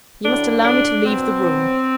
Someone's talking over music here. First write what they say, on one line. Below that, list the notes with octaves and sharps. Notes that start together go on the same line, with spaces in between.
You must allow me to leave the room.'
A2 F#3 D4
D4
B2 F#3 C4